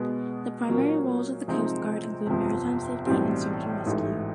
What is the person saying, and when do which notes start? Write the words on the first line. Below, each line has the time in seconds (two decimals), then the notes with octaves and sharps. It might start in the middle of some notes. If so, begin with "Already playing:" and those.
The primary roles of the Coast Guard include maritime safety and search and rescue.
Already playing: B2 G#3 B3
0.68 A#2 F#3 A#3 C#4
1.48 C3 F3 G#3 C4 D#4
2.26 G1 F2 C3 F3
3.06 B1 A2 E3 G3 C4
3.85 A1 G#2 E3 A3